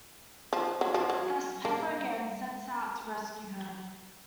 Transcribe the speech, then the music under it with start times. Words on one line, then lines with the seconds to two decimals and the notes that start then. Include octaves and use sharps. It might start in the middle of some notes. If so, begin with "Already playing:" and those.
Thus, Pepper again sets out to rescue her...
0.53 F3
0.81 F#3
0.94 F3
1.10 F#3
1.65 A#3